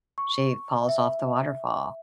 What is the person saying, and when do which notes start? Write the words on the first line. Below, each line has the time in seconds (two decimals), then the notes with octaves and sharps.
she falls off the waterfall.
0.18 C#6
0.89 E5